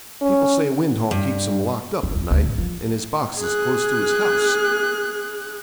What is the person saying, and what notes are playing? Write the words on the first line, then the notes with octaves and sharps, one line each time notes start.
People say Windhall keeps him locked up at night, and his box is close to his house.'
C#4
G2
G1
E2
D2
A1
F3
G#4 F#6